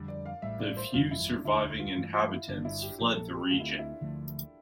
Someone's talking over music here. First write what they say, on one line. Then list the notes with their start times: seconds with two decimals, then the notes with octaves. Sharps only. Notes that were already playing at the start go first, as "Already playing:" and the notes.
The few surviving inhabitants fled the region.
Already playing: F2 D3 G3
0.08 D5
0.26 F5
0.42 A1 A2 G3 E5
0.60 D5
0.77 C5
0.94 G1 F2 E3 G3 F4
1.11 E4
1.28 D4
1.45 E1 D2 D3 E4
1.80 F4
1.96 G2 E3 A3 F4
2.13 F4
2.31 E4
2.47 G1 G2 D3 D4
2.65 E4
2.82 G4
2.99 A#1 A#2 F3 A#3 G4
3.16 A4
3.34 G4
3.50 D2 D3 A3 C4 F4
3.60 E4
3.69 D4
3.79 E4
4.01 D2 D3 F3 A3